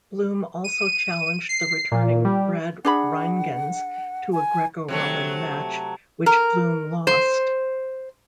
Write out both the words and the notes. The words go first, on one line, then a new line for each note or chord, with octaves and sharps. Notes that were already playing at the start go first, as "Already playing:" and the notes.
Bloom also challenged the returning Brad Rheingans to a Greco-Roman match which Bloom lost.
D#7
C7
A#2
G3
D4 G#4 F#5 B5
G#5
C3 F#3 A3
A#4
C5